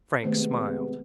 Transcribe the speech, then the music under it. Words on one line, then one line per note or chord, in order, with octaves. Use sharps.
Frank smiled.
C3 D#3 G#3 A3 B3 C5